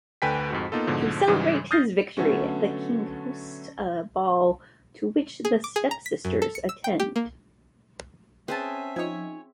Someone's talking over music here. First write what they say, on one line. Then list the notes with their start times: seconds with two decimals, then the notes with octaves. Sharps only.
To celebrate his victory, the king hosts a ball to which the stepsisters attend.
0.22 D2 D3 B4 G5 G#5 B6
0.50 F2 G#2 F#4
0.72 A#3 B3 D#4 F4 A4
0.87 G#2 B2 D3 F3
1.27 G#2 C#3 E3 G3 G#3
1.71 D#6 F6 G6 A6 A#6 C7
2.17 D3 F#3 A3 B3 C#4
5.45 G#4
5.64 D6
5.76 G#4
5.91 A#5
6.06 B6
6.25 F#2
6.42 A4
6.55 C#7
6.69 E6
6.84 G5
7.00 G4
7.16 A#3
8.48 C4 C#4 G#4 B4 C5 E5 G#5 A5
8.96 F3 D#4 C#5 G#5